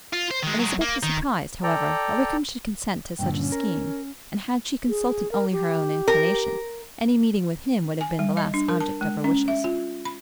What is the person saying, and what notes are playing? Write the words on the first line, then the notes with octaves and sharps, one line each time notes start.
Elizabeth was surprised, however, that Wickham should consent to such a scheme, and had she consulted only her own inclination, any meeting with him would have been the last object of her wishes.
F4
C5
D#3 G#3
F#3 G#3
A#3
D#3
A4 D5 G5 A#5
G2 A#2 D3 G5
C#4
A#4
G#4
A#4
G4
A#4
G#5
G3
D#5
D4
A#4
A5
G#3
C#4
E5
F4
B5